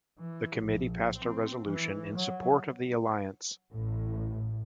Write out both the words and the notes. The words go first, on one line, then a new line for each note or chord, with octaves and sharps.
The committee passed a resolution in support of the alliance.
E3
A#1
C4
E3
F#3
A1 A2